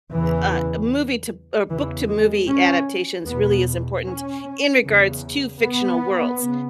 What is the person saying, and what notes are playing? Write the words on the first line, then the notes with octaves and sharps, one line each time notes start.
eh, uh, a movie to or book to movie adaptations really is important in regards to fictional worlds,
E2 C#3 E3
E2 C#3 E3
G#3
C#4
E2 B2 B3
C#4
E2 C#3
B3
C#3